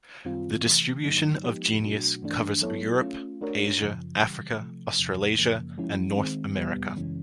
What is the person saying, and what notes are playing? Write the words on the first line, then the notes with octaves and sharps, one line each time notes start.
The distribution of the genus covers Europe, Asia, Africa, Australasia and North America.
F#2 D#3 G3 C4 F4
C3 E3 A3
G2 D3 F#3 A#3 D#4
F3 G#3 B3 D#4 G4
B2 F#3 A3 D4 F#4
G2 E3 A3 D4
F#3 B3 E4 A4 C#5
A3 C#4 F4
A3 D4 F#4 A#4 C#5
F#2 C#3 F3
C#3 E3 G3
C3 F3 A3
E2 C3 F3
F#2 C#3 F3 A#3
F3 G#3 C#4 E4
D#3 G#3 C4
E2 B2 G3 B3
F#2 C#3 E3 G#3 C#4